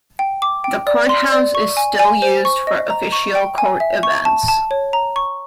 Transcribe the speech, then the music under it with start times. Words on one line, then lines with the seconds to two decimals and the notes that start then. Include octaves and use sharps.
The courthouse is still used for official court events.
0.19 G5
0.42 D6
0.64 G5
0.87 D5
1.09 C6
1.32 D5
1.55 C#6
1.77 G#5
1.99 G#5
2.22 C5
2.45 C#6
2.67 D#5
2.90 A#5
3.12 C#6
3.35 G5
3.58 G#5
3.80 E5
4.03 C#6
4.25 A5
4.48 A5
4.71 C#5
4.93 A#5
5.16 C#6